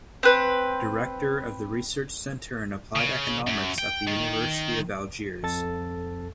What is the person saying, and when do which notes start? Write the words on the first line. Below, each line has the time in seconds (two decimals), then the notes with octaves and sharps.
Director of the Research Center in Applied Economics of the University of Algiers.
0.23 C4 B4
2.95 C#3
3.47 F#2
3.78 G5
4.07 D#3
5.43 F2 A4 A6